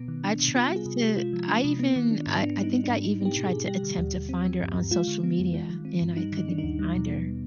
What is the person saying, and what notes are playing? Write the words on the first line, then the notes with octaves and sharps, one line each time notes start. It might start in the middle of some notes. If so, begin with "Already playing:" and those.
I tried to I even I I think I even tried to attempt to find her on social media, and I couldn't even find her.
Already playing: B2 B3
D#3
D4
C3
B3 F4
G3
G#4
C3
G4
C3
G#3 F4
F3
D4
C3
B3
D#3
D4
G#2
B3 D4
G3
D#4
D4
D4
G#2
D4 D#4
B3 G4
B2
G#4
B2
G3 G4
D3
D#2
D#2
C4
F3
G2
G2
G#3 F4
D3
B3
F2
G#3
D#3
C4
G2
G3 D#4
D#3
D#4
D4
D#4
D#2
G3
B2
B3